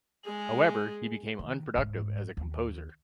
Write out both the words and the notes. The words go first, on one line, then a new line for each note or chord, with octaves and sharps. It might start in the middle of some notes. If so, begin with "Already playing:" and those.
However, he became unproductive as a composer.
G#3 G#4
D#3
D1 G#2
D#2